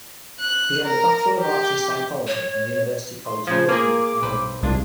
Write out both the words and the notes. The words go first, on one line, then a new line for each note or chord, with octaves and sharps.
He earned a Bachelor of Arts in psychology from University College in Dublin, Ireland.
F#6
A#4
G4
C#5
C6
C#3 F3 G#6
A#3 F4 G#4 D6
B1 B4 C5
C2 G#3 D4 F4